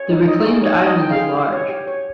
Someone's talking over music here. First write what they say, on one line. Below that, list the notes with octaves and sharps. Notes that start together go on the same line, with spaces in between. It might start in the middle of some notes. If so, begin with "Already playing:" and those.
The reclaimed island is large.
Already playing: C#5
D#4
D#4 D#5
G#4
D#4 C#5
D#4
D#5
D#4 G5
F5
G#4
G4
C#5
G4
C#5